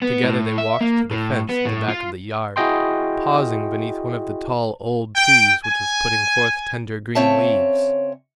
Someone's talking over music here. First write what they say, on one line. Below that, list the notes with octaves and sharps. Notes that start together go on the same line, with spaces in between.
Together they walked to the fence at the back of the yard, pausing beneath one of the tall old trees which was putting forth tender green leaves.
B3
A2
E5
A#3
A2
B3
A2
F4
E4 F#4 G#4 D#5 G5 C6
G5
G#5
C#3 C4 C#5 E5 A5